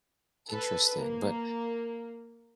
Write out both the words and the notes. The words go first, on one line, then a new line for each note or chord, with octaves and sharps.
Interesting. But
A4 B4
A#3